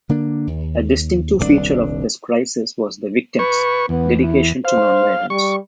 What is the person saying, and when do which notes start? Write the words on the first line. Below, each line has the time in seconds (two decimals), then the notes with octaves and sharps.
A distinctive feature of this crisis was the victims' dedication to non-violence.
0.09 D3 A#3 D4
0.47 D#2
1.39 D#1 C2 B2 D4
3.39 B4 C#6
3.89 E2 B3
4.21 E4
4.65 C5 F5
5.30 G3 C#6